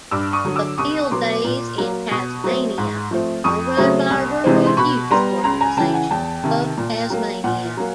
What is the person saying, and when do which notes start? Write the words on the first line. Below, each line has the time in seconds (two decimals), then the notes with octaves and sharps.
The Field days in Tasmania are run by Rural Youth organisation of Tasmania.
0.11 G2 D6 E6
0.33 C#6 D#6
0.45 D3 F#3
0.56 D6 E6
0.78 C2 C#6 D#6
1.11 B2 F#3 B3 C6 D6
1.44 A#2
1.78 F#3 A#3
2.11 B2 C#6 D#6
2.44 F#3 A3 C4
2.78 G#2
3.11 F3 A3 C4
3.44 F2 C#6 D#6
3.77 C#3 F#3 A3 C4
4.10 C2
4.44 C3 E3 G#3 C4
4.66 C6
4.77 B2 B5 C#6
5.11 G3 B3 A#5 C6
5.44 C#2 A#5 C6
5.61 G#5 A#5
5.77 C#3 E3 G5 A5
5.94 F#5 G#5
6.10 E2 G5 A5
6.44 C3 D#3
6.78 A#2
7.10 F#3 A#3
7.44 A#2 F#5 G#5
7.77 F#3 A#3